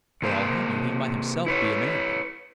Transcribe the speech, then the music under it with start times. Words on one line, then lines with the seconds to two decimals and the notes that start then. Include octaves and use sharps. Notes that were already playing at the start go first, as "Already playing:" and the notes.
For all he knew he might himself be American...
0.22 C3 A#3 C5
1.46 E4 B4 C#5